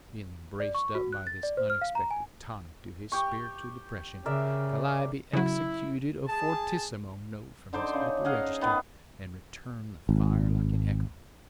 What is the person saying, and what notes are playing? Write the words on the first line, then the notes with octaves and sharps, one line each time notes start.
Feeling braced up by this unexpected tonic to his spiritual depression, Calliope executed a fortissimo note from his upper register, and returned the fire like an echo.
D5
C#6
F#4
F#6
A6
D5
C5
F6
F5
A#5
G#5
G4 G5 C#6
C#3 A#4 D5 E5
C#3 F#3 E4
G#4 A5
D3 D#4 C5 D5
C#3
G#4 D#5 F5 F#5
D#3 B3
G#1